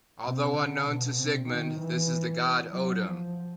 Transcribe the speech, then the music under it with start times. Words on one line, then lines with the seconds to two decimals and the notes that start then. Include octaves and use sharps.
Although unknown to Sigmund, this is the God Odin.
0.25 C3
0.55 D3
0.86 B2
1.17 C3
1.48 D#3
1.80 E3
2.71 F#3
3.02 F3